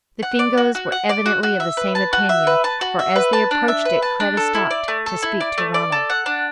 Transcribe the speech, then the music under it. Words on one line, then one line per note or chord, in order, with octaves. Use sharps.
The Fingoes were evidently of the same opinion, for as they approached it Kreta stopped to speak to Ronald.
F#5
D5
F#4
F#4
F#5
D5
F#4
F#4
E5
B4
A5
F#4
E5
B4
A5
F#4
E5
B4
A5
D4
E5
B4
A5
D4
A4
E4
D5
A3
A4
E4
D5
A3
D5
A4
F#5
D4